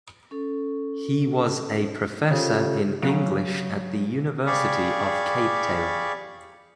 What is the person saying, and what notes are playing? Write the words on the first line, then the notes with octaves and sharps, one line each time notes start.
He was a professor in English at the University of Cape Town.
C#4 A4
C#3 F4 G4 A4
C#3 F#3
G4 G#4 D5 F5 B5 C#6